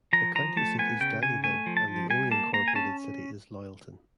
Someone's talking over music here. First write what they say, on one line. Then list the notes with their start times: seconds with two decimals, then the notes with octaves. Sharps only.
The county seat is Downieville, and the only incorporated city is Loyalton.
0.13 F3 A#5
0.35 F3 A#5
0.57 A3 A5
0.79 B3 G#5
1.00 C#3 G5
1.22 C#3 G#5
1.44 A3 G#5
1.66 F3
1.77 A5
1.88 F3
2.10 G3 G#5
2.31 A#3 A5
2.54 A#3 A#5
2.68 G#5
2.75 C#4 A5